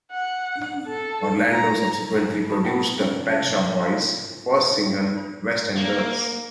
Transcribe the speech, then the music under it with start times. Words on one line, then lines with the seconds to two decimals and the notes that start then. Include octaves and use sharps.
Orlando subsequently produced the Pet Shop Boys' first single, "West End Girls".
0.11 F#5
0.86 A4
1.52 A#5
2.25 D#4
2.49 F#4 G4 A#4 A5 B5 D#6
2.64 F4 F#5 G5 A5
2.99 C#4 G4
3.29 C#4 E5 F5 A5
3.85 F4 F5 C6
5.77 A#3